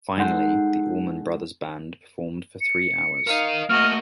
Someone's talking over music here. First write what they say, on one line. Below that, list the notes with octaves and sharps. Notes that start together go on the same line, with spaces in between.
Finally, the Allman Brothers Band performed for three hours.
G#3 D#4 A4 F#5 C6 G6
C#7
A#4 D#5 F5
A3 A#3 F#4 D#5 F6